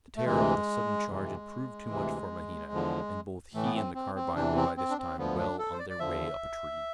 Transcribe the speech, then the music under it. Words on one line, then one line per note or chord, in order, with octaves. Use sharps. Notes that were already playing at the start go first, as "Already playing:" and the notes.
The terror of the sudden charge had proved too much for Mahina, and both he and the carbine were by this time well on their way up a tree.
A3
D2 C3 E3 G#3
F2 C3 E3
D2 C3 E3
E2 D3 F3
A2 E3 A3
B3
C4
C4
C4
E2 C3 E3 D4
C4
C4
D4
C4
D2 D3 F3 B3
D4
A4
C5
D5
D5
E2 D3 F3 E5